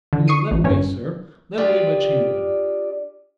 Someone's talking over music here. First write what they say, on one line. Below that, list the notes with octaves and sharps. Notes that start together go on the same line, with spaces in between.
He was led away, sir, led away by Chamberlayne.
D3
C#6 D#6 C7 C#7 D#7
A1
G1 G2 C#4 C#5
D4 F4 G4 G#4 D5